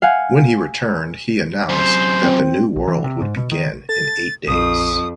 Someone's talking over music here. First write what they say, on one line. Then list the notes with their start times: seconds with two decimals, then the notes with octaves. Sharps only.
When he returned, he announced that the New World would begin in eight days.
0.02 F5 F#5 G#5
1.69 F#2 C3 C5
2.23 C4
2.76 A#1
2.88 E3
3.04 C3
3.22 G#2
3.37 B2
3.52 D#3
3.89 A4 A6
4.48 A#1 F2 D#6